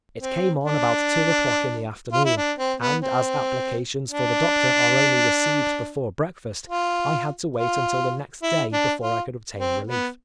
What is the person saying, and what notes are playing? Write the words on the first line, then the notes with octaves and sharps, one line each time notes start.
It came on about two o'clock in the afternoon, and as applications for the doctor are only received before breakfast, I had to wait until the next day before I could obtain relief.
C4
D4
F4
E4
D4
C4
B3
C4
D4
F4
F4
E4
D4
F4
C4
B3